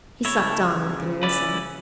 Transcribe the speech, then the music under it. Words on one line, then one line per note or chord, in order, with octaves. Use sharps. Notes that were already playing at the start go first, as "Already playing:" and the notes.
He sucked on like an innocent.
C#3 A3 E4 A4 C#5
C#4 E4 B4 D5